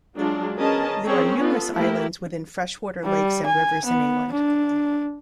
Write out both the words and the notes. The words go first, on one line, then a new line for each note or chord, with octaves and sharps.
There are numerous islands within freshwater lakes and rivers in England.
F#3 G#3 D4 F4 G#4
B3 C#4 G#4 A#4 D#5 A5
C4 C#4 G#4 A#4 C#5
B3 F4 A4
A3 A#3 E4 F#4 G4 A#4
G3
G#5
B3
D4